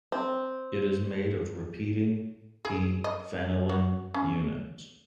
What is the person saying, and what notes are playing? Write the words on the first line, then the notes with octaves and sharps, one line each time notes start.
It is made of repeating "p"-phenylene units.
C4
G#4
D#5
F#4
C#4